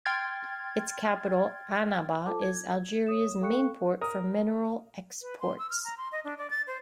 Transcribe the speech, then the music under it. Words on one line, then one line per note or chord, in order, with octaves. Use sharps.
Its capital, Annaba is Algeria's main port for mineral exports.
G5 C6 F6 G#6 A6
F4 A4 C5 A5 D6
G#6
C#5 D#6 E7
A4 F5 G5 C#6 F#6 C#7
A#4 D#6
B4
C6
E6
F6
A#5
C6
D#5
D4
D5
A6
C5